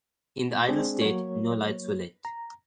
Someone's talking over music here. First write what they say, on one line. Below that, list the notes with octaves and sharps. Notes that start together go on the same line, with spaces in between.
In the idle state, no lights were lit.
G#3 C4 D4 G#4
F#3 A#3 C#5
A#5